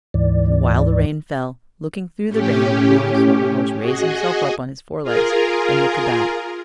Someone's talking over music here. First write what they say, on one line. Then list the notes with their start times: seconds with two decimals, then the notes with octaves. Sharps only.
And while the rain fell, looking through the rain, the boy saw the horse raise himself up on his forelegs and look about.
0.14 D2 G#2 E3 D5
2.25 A2 C#4 G4
3.76 F#4 G#4 D#5
5.02 F4 G#4 A#4